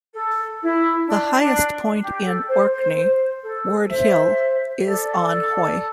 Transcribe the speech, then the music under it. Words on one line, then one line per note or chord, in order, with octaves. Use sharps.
The highest point in Orkney, Ward Hill, is on Hoy.
A4
E4
D4
D4
G4
A4
C5
C5
C5
A4
C5 E5
A4 D5